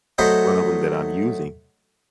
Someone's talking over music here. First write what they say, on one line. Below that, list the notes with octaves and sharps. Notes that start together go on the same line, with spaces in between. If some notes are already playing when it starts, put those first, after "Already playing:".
one of 'em that I'm using,
F#3 A3 C5 D#5 E5